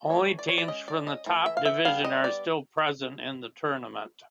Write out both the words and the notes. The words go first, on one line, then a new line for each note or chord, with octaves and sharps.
Only teams from the top division are still present in the tournament.
E3 A3 D4 C#5
D5
C#5
D5
G#3 C#4 D#5
D5
D#5
E3 A3
E5
F5
E5
G3 B3 D4 F5
D#5
D5